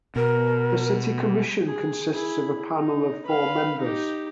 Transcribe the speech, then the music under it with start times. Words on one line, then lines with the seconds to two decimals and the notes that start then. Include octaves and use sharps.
The city commission consists of a panel of four members.
0.16 B2 A#4
1.65 G#4
2.13 E4 G#4
2.74 D#4
3.25 B4 F5
3.80 D#4 G4